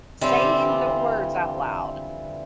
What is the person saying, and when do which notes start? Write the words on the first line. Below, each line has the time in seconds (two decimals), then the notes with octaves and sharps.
saying the words out loud.
0.21 D3 E3 G3 C4 F4